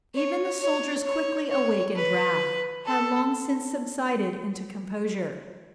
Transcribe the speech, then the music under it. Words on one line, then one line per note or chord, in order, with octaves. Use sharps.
Even the soldier's quickly awakened wrath had long since subsided into composure.
C#5
C#5
C#5
C#5
B4
A4